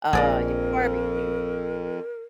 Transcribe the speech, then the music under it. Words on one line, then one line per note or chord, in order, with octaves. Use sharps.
uh, your barbecue.
A#1 F2 G#4 A#4 D5 D#5